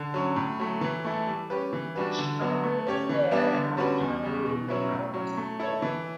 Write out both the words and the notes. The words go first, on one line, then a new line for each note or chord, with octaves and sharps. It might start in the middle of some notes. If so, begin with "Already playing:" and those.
She operated there and off Honolulu for almost a year.
Already playing: D3
F#3 C#4
A2
F#3 A3
E3
A3 E4 A4
G3
C#4 G4 B4
E3
G3 D4 F#4 B4
D3
F#3 B3 F#4
A3
C#4 G4 C#5
E3
G3 B3 D4
D3
G3 C#4 F#4 B4
E2
C#3 G3
B2
F#3 C#4 E4 B4
A2
F#3 C#4
A3
E4 A4 C#5
E3